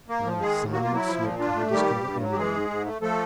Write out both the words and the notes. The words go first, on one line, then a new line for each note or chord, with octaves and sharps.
Not a sign of smoke could he discover anywhere.
A#3
F3
D#3 G#3 G#4
D#2
F#3 A#3 F#4
F4
F#3
E4
F3
A#2
D4 F4
A3
D#3 G3 G4
G2
G2
F#3
G4
E3 G#3 G#4
G#2
G#2
A3
F3 A3 A4